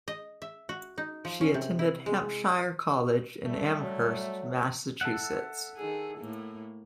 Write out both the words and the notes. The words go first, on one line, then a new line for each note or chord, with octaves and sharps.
She attended Hampshire College in Amherst, Massachusetts.
D#5
E5
F#4
D#4
F3
C#4
C3
E4
G#3
G3 A3
F#3
A4 E5 F#5
D#3 G#4
A2 A#3